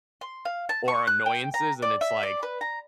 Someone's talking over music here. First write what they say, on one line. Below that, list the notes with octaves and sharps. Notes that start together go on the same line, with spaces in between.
or annoyances, and it's like,
C6
F5
A5
C#6
F#6
G5
A#5
D5
E5
D5
B4
A#5